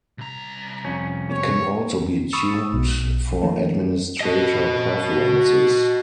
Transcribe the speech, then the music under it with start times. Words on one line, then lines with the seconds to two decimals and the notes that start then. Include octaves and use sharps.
It can also be tuned for administrator preferences.
0.18 C2 A#5
0.85 F2 C#4
1.30 C#5
2.33 B5 C#6 D#6 E6 A6 C#7
2.73 B1 B2
3.42 D#3 F3 A3 A#3 C#4
4.20 F#4 D#5